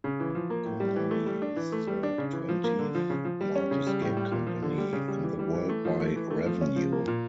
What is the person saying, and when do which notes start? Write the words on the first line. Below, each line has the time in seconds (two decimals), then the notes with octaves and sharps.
Konami is the twentieth-largest game company in the world by revenue.
0.04 C#3
0.20 E3
0.35 F3
0.50 A#3
0.65 A2
0.80 G3
0.96 E3
1.11 A3
1.26 G3
1.42 D4
1.56 E3
1.72 A3
1.87 G3
2.03 D4
2.18 C#3
2.33 E3
2.49 F3
2.64 A#3
2.79 D3
2.95 F3
3.10 C#3
3.25 F3
3.41 G3
3.56 C#4
3.71 C#3
3.87 G3
4.02 A2
4.17 G3
4.32 A#2
4.47 F3
4.62 D3
4.78 G3
4.93 C#3
5.08 G3
5.23 E3
5.39 G3
5.54 E3
5.69 A3
5.85 F3
6.00 A3
6.16 E3
6.30 A3
6.46 F3
6.61 C#4
6.76 F3
6.92 A#3
7.08 A#2